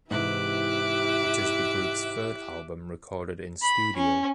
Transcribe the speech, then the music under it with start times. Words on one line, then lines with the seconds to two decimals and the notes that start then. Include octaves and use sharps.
It is the group’s third album recorded in studio.
0.11 G#2 C3 E3 E4 G4 E5 D6 F#6
3.62 B5
3.96 C#4